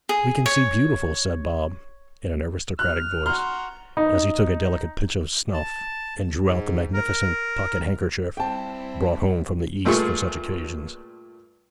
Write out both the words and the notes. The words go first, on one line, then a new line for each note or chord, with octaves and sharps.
'We can see beautifully,' said Bob, in an aristocratic voice, as he took a delicate pinch of snuff, and drew out the magnificent pocket-handkerchief brought home from the East for such occasions.
G#4
C#5
F6 F#6
F#4 A#5 C6 F6
D#4
A5
G#2
A#4
G3 C4 E4 G5 A5
G2 A#2 A3 F4 G#4 C#6